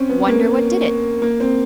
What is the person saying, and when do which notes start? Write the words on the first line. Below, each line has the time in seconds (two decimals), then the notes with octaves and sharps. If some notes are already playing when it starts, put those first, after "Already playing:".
"Wonder what did it?"
Already playing: C4 C#4
0.09 B3
0.28 A#3
1.22 A#3
1.40 C4